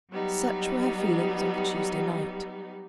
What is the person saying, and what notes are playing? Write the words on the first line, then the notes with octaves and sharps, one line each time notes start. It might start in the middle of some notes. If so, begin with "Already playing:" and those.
Such were her feelings on the Tuesday night.
F#3 G3 B3 D#4